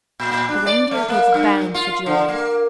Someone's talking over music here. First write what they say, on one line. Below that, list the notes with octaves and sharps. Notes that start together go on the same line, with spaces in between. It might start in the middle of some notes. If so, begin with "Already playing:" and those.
The Reindeer gave a bound for joy.
A#2
A#2
D4
D5
A3
A#3
G2
F4
D3
A#3